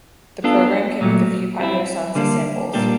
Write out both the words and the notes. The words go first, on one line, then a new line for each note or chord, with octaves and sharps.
The program came with a few popular songs as samples.
B3 D4 F4 A4
A#2 F#3 A3
G3 C4 E4
D3 G3 A#3 D4
A#2 G3 A#3 D4 G4